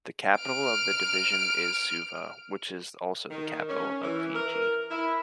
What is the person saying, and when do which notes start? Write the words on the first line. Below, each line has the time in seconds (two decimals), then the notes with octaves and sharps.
The capital of the division is Suva, which is also the capital of Fiji.
0.40 F6 D7
3.29 D#3
3.68 C#4
4.02 E3
4.34 A#4
4.89 E4